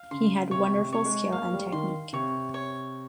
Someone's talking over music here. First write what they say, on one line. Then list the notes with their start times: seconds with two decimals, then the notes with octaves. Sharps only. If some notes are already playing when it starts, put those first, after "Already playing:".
He had wonderful skill and technique.
Already playing: F5
0.11 C#3 C6
0.51 C3 C#5
0.78 C3
0.93 C#5
1.05 G#3
1.32 A#3 F5
1.53 G3
1.72 D#3 C6
2.13 C3 C#5
2.54 C#5